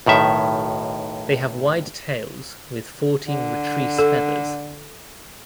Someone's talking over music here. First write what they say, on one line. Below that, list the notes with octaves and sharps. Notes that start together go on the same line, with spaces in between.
They have wide tails with fourteen retrice feathers.
B1 A2 D#3 E5
D3
A4